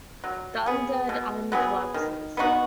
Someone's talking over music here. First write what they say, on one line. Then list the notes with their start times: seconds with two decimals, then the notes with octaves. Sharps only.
The undead army collapses.
0.24 F#3
0.66 B3 G#4
1.09 B2
1.52 F#3 B3 G#4
1.94 D#3
2.37 B3 D#4 F#4